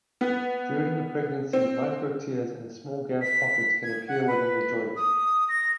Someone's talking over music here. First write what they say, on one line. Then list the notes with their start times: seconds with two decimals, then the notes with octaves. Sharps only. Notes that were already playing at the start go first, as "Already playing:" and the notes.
During the pregnancy, micro tears and small gas pockets can appear within the joint.
0.21 B3
1.53 C4
3.22 B6
3.83 G#6
4.08 F#5
4.27 B4
4.96 D#6
5.49 A#6